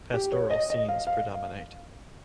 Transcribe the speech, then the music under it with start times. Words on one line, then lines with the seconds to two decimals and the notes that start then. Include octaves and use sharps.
Pastoral scenes predominate.
0.14 G4
0.32 C#5
0.50 D#5
0.70 D#5
0.89 F5
1.07 F5